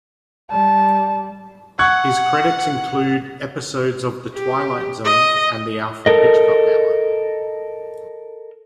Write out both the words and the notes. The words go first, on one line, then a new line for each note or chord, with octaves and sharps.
His credits include episodes of "The Twilight Zone" and "The Alfred Hitchcock Hour".
G3 A5
F#5 C#6 F#6 G#6
G4
D#5
A4 A#4 D#5